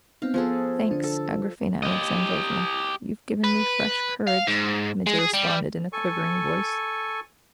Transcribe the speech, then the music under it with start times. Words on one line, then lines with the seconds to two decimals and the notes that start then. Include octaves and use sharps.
"Thanks, Agrafena Alexandrovna, you've given me fresh courage," Mitya responded in a quivering voice.
0.22 B3 C4 D#4 F5
0.34 F3 B3 G#4 A4
0.91 D3 D4
1.03 A4
1.83 G4 D#5
3.44 B4
4.27 F5
4.47 G#2
5.07 G#3
5.19 G#4
5.33 G3
5.93 A4 G#5 C#6